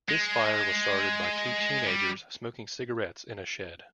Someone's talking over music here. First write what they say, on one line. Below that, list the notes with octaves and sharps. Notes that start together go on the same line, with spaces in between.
This fire was started by two teenagers smoking cigarettes in a shed.
G#3
G3